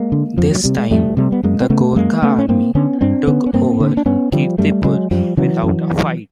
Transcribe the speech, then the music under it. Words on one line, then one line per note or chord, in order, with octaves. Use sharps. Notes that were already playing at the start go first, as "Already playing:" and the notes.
This time the Gorkha army took over Kirtipur without a fight.
Already playing: G#3 A#3
D3
F2 F3
F#3
C3 G3
G#3
F2 G3 A3
C3 G3 A3
B3
F#2 G#3 A#3
C4
C#3 A3 B3
F#2 G#3 A#3
C#3 A3 B3
C#4
G2 A#3 C4
D3 B3 C#4
G2 C4 D4
D3 B3 C#4
C#4
G2 A#3 C4
D3
D4
G2 B3 C#4
D3 F3 G3
F#2 G3 A3
C#3 F#3 G#3
F#2 F3 G3
C#3 E3 F#3
F#2